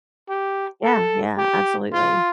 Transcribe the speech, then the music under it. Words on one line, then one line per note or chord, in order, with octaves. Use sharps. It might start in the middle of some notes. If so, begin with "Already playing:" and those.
Yeah, yeah, absolutely.
G4
A4
G4
F4